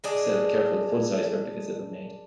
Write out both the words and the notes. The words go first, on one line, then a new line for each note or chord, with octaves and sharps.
A set of careful full-size replicas have been made.
G#3 D4 G#4